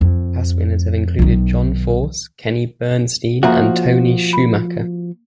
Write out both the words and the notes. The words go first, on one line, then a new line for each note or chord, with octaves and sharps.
Past winners have included John Force, Kenny Bernstein, and Tony Schumacher.
F2
B1 D#3
F3 A#3 F#4 E5 A#5
B5